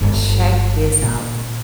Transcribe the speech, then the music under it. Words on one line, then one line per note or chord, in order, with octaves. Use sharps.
Check this out.
G1 F4
A#2